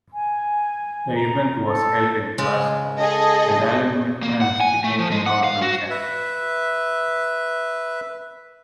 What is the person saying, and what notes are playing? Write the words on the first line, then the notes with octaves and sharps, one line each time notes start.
The event was held in Glasgow and Alan McManus became the inaugural champion.
G#5
A#5
A4
C#3 G#3
G#4 A4 D#5
A#3
F#5
G#5
A3
F3
G#3
F#5
F5
F#4
B4 E5